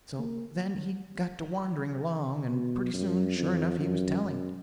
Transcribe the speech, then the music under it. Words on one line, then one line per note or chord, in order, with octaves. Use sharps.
So then he got to wandering along, and pretty soon, sure enough, he was telling!
A#3
B2
F#2
F2
F#2
F#2